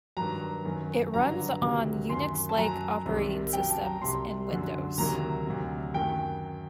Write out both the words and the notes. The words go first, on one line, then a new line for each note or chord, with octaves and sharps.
It runs on Unix-like operating systems and Windows.
G2 D#3 F#3 A#5
F#2 D#3 F#3
G2 D3 F#3 A#5
D2 C3 D#3 F#3
F#2 D#3 F#3 C6
A5
F#2 F#3 A#5
C2 C3 D#3
F#2 F#3 G5
A5
A#5
C2 C3 F#3 C6
F#2 D3 F#3
D2 C3 D#3 F#3 A#5
D2 C3 F#3
F#2 D#3 F#3 G5